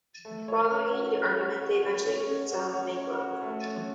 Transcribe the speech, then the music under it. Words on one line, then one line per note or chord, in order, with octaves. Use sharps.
Following a heated argument, they eventually reconcile and make love.
A3
C#5
C#4
F#4
C#5
C#5
F#4
C#5
C#4
C#4
F#4
C#4
C#5
F#4
A3
C#4